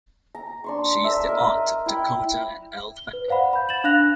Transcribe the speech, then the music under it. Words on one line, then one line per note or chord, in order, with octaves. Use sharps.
She is the aunt of Dakota and Elle Fanning.
A#5
D4 C6 C#6
D4 A#4 E5
A#4 D#5
E4 G5 B5
G7
B4
C5 D5 F5 F#5 B5
B5 G6
A6 E7 F#7
D4 F5 F#6 A#6 F7